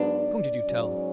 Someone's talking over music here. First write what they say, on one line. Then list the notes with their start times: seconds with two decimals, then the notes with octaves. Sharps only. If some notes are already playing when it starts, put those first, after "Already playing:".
Whom did you tell?
Already playing: G#2 F#3 B3 D4 D5
0.64 G#2 F#3 C#4